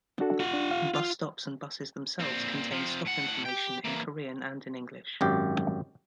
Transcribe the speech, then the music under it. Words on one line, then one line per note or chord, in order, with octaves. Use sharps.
Bus stops and buses themselves contain stop information in Korean and in English.
D4 F#4 A4
F4 F#5
D4
F5
F4
A#2 C4
C3 F3
A2 F#5
G4 G5
E3 A#3
G#1 F#2 G4